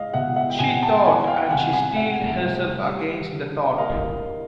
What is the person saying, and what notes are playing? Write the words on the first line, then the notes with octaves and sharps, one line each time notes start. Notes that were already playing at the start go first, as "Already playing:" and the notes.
She thought; and she steeled herself against the thought.
Already playing: G#3 D#5 F5
B2 E5 F#5
E5 F#5
G5
B2 F#5 G#5
G5 A5
E3 F#5 G#5
F5 G5
C3 F#5 G#5
F#5 G#5
A3 E5 F#5
C2
G3
D3
A#3 D#5 F5